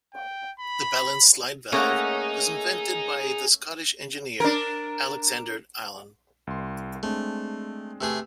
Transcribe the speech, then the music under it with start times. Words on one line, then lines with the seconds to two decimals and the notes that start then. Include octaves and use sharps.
The balanced slide valve was invented by the Scottish engineer Alexander Allan.
0.14 G5
0.60 B5
1.72 A3 A#3 C#4 D#4 G#4 C#5 D#5 F#5
4.40 D4 A#4
6.47 C2 C6
7.03 G#3 A3 C4 D4
8.01 C3 A3 G#4 B4 E6